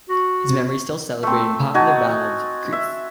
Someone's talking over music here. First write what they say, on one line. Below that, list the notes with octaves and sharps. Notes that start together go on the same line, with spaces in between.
His memory is still celebrated in popular ballads in Greece.
F#4
A3 C4
D#4 F#4 G#5 A5
E5